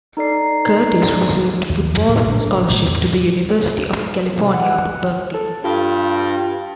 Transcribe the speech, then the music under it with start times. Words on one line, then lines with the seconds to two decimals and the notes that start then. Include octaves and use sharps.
Curtis received a football scholarship to the University of California, Berkeley.
0.17 D#4 A4 D5 C7
1.69 D#2
1.94 F2 F#3
2.06 A2 A3
2.27 F#1 A#2 D4
2.69 D#1 A2 G3
2.88 E2 C#3 G3
4.41 C3
4.54 F#5
5.34 A4
5.64 G2 F4